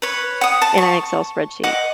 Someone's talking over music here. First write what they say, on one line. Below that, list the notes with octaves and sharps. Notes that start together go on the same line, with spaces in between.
in an Excel spreadsheet?"
B4 C#5
F#5 D#6
A5
C#6
D#5 F#5 D6